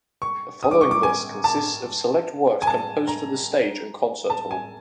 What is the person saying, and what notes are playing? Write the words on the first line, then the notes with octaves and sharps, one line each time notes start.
The following list consists of select works composed for the stage and concert hall.
C#6
D#6
D6
C#6
D6
G#5
A5
G#5
A5
A#5
A5
G#5